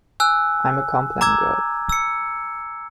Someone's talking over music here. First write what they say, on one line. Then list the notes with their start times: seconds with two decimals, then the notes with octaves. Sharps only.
I'm a Complan Girl!
0.20 G#5 E6 F#6
1.21 A#5 D6 E6 G#6
1.89 E6 C#7